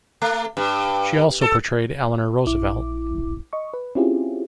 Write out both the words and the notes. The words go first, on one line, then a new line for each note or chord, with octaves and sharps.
She also portrayed Eleanor Roosevelt.
A3
G2
A4
A#1 E4 D6
D#5 C#6
B4
C4 C#4 E4 F4 G4 G#4